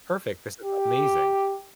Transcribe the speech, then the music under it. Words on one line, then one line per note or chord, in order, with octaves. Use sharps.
perfect. This is amazing.
G4